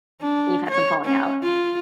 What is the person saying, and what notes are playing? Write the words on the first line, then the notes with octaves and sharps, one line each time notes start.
You've had some falling out.
D4
C#5
C#4
F4